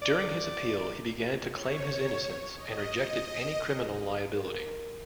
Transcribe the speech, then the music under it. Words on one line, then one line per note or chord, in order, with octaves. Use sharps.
During his appeal, he began to claim his innocence and rejected any criminal liability.
D5
C#5
D#5
A#4